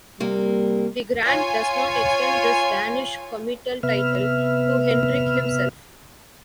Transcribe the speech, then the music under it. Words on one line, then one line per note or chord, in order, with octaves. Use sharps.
The grant does not extend this Danish comital title to Henrik himself.
C3 G3 A#3
F4 C#5 G#5
C3 B3 B4 E5 F6